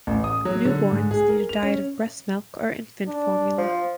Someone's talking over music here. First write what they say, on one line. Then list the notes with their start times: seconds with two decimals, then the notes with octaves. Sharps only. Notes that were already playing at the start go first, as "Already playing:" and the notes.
Newborns need a diet of breastmilk or infant formula.
0.07 A1
0.24 D#6
0.45 F#3
0.65 D3
0.91 G#2
1.11 G#4
1.29 A#4
1.49 F7
1.63 C#4
3.08 D4
3.58 F3